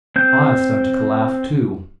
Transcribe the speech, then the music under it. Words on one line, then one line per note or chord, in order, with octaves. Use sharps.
I started to laugh, too.
C4 G6